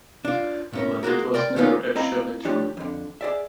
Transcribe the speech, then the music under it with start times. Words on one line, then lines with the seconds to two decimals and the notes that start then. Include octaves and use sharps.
But it was never actually true’.
0.25 D4 F4
0.73 A2 C#4 A#4
1.03 G#3 A#3 F#4 A#4
1.34 A#4 D5 G5 C6
1.56 D#3 G#3 B3 C#4 D#4 F4
1.95 C4 E4 D#5 F5 A#5
2.45 D3 F3 D4 G4 C#5
2.77 F2 D3
3.21 G#4 D5 E5